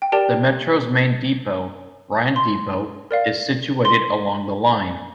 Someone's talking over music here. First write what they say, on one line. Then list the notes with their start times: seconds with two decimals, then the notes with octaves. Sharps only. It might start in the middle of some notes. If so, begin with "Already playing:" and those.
The metro's main depot, Ryen Depot, is situated along the line.
0.02 G5
0.12 G4 A#4 D5 G5 A5
2.36 C6
3.11 A#4 D5 F5
3.85 C6